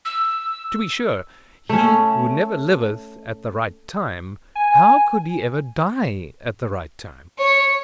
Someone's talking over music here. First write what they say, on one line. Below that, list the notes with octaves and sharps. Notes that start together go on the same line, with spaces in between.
To be sure, he who never liveth at the right time, how could he ever die at the right time?
E6
A3 C#4
G#5
C#5